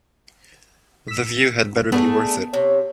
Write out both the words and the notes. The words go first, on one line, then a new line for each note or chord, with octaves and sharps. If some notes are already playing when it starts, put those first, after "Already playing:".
The view had better be worth it.
E6 B6
A3 B3 D4 G#4
C3 C#5